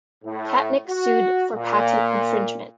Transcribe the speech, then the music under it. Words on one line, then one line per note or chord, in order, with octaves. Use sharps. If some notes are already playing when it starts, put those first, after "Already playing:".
Catnic sued for patent infringement.
A2
F#4
A#2